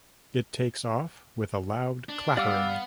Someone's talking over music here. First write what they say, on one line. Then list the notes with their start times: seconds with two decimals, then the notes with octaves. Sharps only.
It takes off with a loud clattering.
2.09 D4
2.37 G3 B3 D5 F5 D6 E6